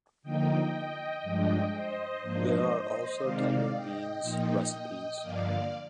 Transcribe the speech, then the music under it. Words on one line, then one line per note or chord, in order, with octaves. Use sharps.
There are also tender beans recipes.
D3 F3 A#3 D#4 D#5 G5
G2 F3 G#3 D4
C5 D#5
G#2 F3 A#3 D4
C3 D#3 G#3 C4 D#4 D5 F5
D#5 G5
A#2 F3 A#3 D#4
G2 D3 F3 A#3 D5 F5